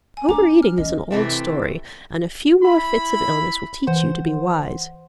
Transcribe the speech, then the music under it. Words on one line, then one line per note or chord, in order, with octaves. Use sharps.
Overeating is an old story; and a few more fits of illness will teach you to be wise.
G#5
D4 A#5 D6
F6
E3 C#4 D#5
C3 E3 A3 C4
E4 B5
E3 C5 F#5 C6